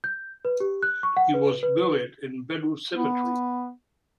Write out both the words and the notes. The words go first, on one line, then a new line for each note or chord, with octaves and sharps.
He was buried in Bellu Cemetery.
G6
B4
G4
F#6
C#6
F#5
B4
B4
B3